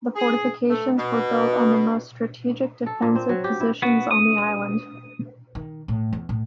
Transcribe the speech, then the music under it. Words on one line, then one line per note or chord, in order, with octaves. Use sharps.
The fortifications were built on the most strategic defensive positions on the island.
G#4
A3
B2
A4
A#2
C4
F#3
G4
E4
B3 F#4
D#6
D#3
A2
E2
A2